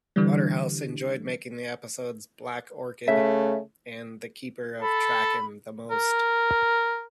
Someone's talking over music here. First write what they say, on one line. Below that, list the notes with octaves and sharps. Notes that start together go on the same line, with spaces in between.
Waterhouse enjoyed making the episodes 'Black Orchid' and 'The Keeper of Traken' the most.
D3 E3 G3
C#3 A3 E5
A4 B5
A#4